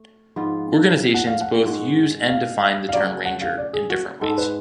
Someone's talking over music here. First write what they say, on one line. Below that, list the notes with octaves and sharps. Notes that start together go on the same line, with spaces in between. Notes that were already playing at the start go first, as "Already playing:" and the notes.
Organizations both use and define the term "Ranger" in different ways.
Already playing: A3
G#2 F3 B3 F4
F#5
F5
F#5
G#2 G#3 C#4 F#4
F5
F5
C#3 F#3 A3 D5
F#5
F5
D5
G#4
F#4
G#2 G#3 B3 A4
B4